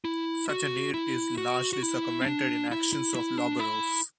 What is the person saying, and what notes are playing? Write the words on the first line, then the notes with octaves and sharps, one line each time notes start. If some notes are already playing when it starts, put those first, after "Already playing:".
Such a need is largely circumvented in actions of lawburrows.
E4
F#4
E4
F#4
F#4
E4
C4
D4
E4
E4
E4
D4
E4